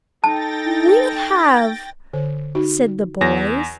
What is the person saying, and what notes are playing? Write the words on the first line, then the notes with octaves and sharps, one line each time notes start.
"We have," said the boys.
D#4 A4 G5 A5 A6 A#6
D3 C5 C#5
D#4 F#4
E2 A#6